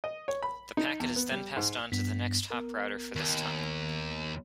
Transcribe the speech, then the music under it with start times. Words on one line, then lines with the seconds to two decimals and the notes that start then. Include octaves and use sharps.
The packet is then passed on to the next hop router for this tunnel.
0.04 D#5
0.28 C#5
0.43 B5
0.77 D#4
1.00 E2
1.16 B3
1.32 G3
1.57 G#2
1.92 G2 B3 B6
2.50 B3 A#4
3.16 D#2